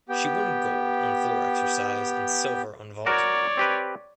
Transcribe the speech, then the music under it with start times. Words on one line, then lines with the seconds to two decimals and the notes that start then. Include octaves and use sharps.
She won gold on floor exercise and silver on vault.
0.09 B3 G4 G5
3.06 F#4 A#4 C#5 D5
3.57 C4 G4 B4